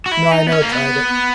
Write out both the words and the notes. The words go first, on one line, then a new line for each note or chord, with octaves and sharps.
No, I never tried it.
F#4
E4
D#4
B3
C#4
A#3
B3